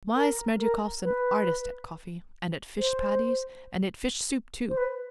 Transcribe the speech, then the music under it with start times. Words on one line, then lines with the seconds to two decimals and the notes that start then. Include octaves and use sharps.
My Smerdyakov's an artist at coffee and at fish patties, and at fish soup, too.
0.15 A#4
0.59 A#4
1.03 B4
2.78 C5
4.69 C5
4.77 B4